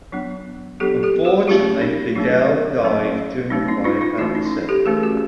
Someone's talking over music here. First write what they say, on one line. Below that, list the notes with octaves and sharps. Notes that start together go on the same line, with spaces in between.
Unfortunately Fidel died during a fire at the set.
F#3 B3 D4
F#3 B3 D4 G4 A4
G4 A4
F#4 G#4
F#3 A3 C#4 F4 G4
D#4
F#3 A3 C#4 D4
F#3 A3 C#4
F#3 A3 C#4 D#4
D4 E4
D#4 F4
D#4 F4
E3 A3 C#4 E4 F#4
D#4
E4
D#4
G4 A4
E3 A3 C#4 G#4 A#4
F#4 G#4